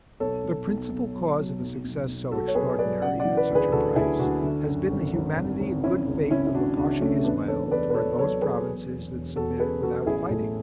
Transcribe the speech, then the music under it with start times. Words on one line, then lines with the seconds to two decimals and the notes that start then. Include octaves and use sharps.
The principal cause of a success so extraordinary, at such a price, has been the humanity and good faith of the Pasha Ismael towards those provinces that submitted without fighting.
0.20 B1 A4 C#5
0.44 B1
0.67 B1
0.90 B1
1.14 F#3
1.38 F#3
1.60 B1
1.84 B1
2.08 B1
2.31 B1 F#4 A4
2.47 C#5
2.55 B1 G#4 B4
2.78 F#3 B4 D5
3.02 C#3 D5 F#5
3.19 D5 F#5
3.25 E3
3.37 B4 D5
3.49 D2
3.55 G#4 B4
3.72 D2 F#4 A4
3.96 D2 E4 G#4
4.19 D2 D4 F#4
4.43 D3
4.67 F#2
4.90 G#1
5.13 G#1
5.37 G#1
5.60 G#1
5.83 C#3 C#4 E4
6.07 C#2
6.30 C#3 C#4 E4
6.47 E4
6.54 C#2 D4 F#4
6.77 C#2 D4 F#4
7.01 C#3 A3 C#4
7.24 E2 B3 D4
7.48 E2 A4 C#5
7.71 E2 B4 D5
7.90 B4
7.95 E2 A4 C#5
8.18 F#3 A4 C#5
8.42 F#3 G#4 B4
8.65 E2
8.89 E1
9.13 E1
9.36 E1 F#4 A4
9.59 C#3 G#4 B4
9.83 E1 F#4 A4
10.06 A1 E4 G#4
10.30 A2 A3